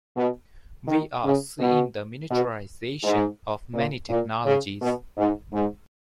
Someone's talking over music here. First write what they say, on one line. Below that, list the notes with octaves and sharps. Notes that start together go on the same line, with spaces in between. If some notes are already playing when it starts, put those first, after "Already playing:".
We are seeing the miniaturization of many technologies.
B2
D#3
C#3
B2
B2
G#2
A#2
A#2
C#3
B2
G#2
G#2